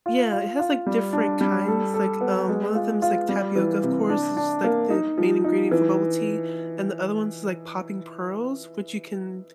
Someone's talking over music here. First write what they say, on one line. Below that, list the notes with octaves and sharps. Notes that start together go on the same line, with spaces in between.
Yeah, it has, like, different kinds. Like, um, one of them is, like, tapioca, of course. It's, like, the main ingredient for bubble tea, and the other one's, like, popping pearls, which you can
F4
F4
F4
G3
D4
G3
A4
A4
B3
G#3
F4
F4
G3
E3
C3
D4
D4
A#3
D#4
F3
D#4
E3